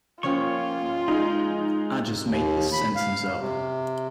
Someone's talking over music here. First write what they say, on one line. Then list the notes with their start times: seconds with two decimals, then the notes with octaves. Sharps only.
I just made this sentence up.
0.23 F3 A#3 C#4 F4 C#5 G5 C#6
1.08 G#3 D#4 G#4
2.25 D#2
2.73 B5
2.96 F5
3.39 C3